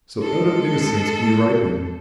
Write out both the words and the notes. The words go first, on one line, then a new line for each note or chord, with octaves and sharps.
So out of innocence we ripen.
G#3 A4